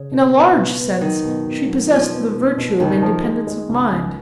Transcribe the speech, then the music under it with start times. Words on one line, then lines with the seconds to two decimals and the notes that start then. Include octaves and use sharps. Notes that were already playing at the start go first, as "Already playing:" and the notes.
In a large sense she possessed the virtue of independence of mind.
Already playing: C#3
0.11 B2
0.34 B3
0.56 B2
0.79 B3
1.01 D#3 F#3
1.23 B2
1.46 B2
1.68 F#3
1.90 B2 F3
2.12 B3
2.35 B2
2.57 B2
2.80 C#2 D#3
3.02 F3
3.24 G#3
3.47 G#3
3.69 C#2
3.92 C#2